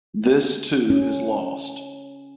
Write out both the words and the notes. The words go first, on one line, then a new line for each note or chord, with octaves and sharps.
This too is lost.
C#4